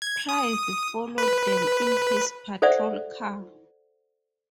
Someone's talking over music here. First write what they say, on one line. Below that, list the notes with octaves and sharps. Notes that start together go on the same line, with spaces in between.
Price followed them in his patrol car.
G#6
D#6
B4
A4 C5 D5 E5 F#5